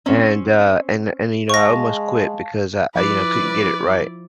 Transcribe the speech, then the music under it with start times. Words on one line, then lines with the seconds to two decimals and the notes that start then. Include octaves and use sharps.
and, uh, and and, you know, I almost quit because I I, you know, couldn't get it right,
0.06 C4 C#4
1.49 G#3 F5 A5 C#6 A#6
2.95 F3 E4 B4 D5 D6